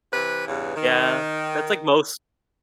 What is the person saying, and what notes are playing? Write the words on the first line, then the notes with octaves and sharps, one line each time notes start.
Yeah, that's like most
C3 E3 B4
E2 G2 C#3
D#3